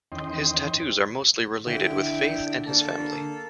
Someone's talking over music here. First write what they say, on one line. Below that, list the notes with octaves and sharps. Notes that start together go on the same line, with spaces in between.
His tattoos are mostly related with faith and his family.
E2 D#3 C#4 D#5 G5 C6
D3 E4 G5
A#3 A4